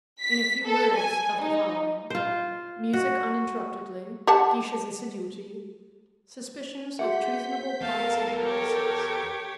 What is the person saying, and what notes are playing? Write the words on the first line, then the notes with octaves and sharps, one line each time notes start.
"In a few words, of the following: music uninterruptedly; Guiche's assiduity; suspicions of treasonable plots and practices."
B6
A4
G#5
D#4
F4 C5
F#4
G4 F#5 A5
F#4 G#4 E5 F#5 G6 B6
E2 B3 A4 A#4 F5 A5
G4 C#5